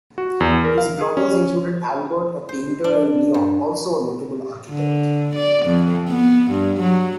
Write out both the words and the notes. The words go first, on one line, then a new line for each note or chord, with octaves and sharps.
His brothers included Albert, a painter, and Leon, also a notable architect.
F#4
E2
A#4
F5
G#4
C#4
C5
D4
G2
D3
D5
F2
B3
G2
F#3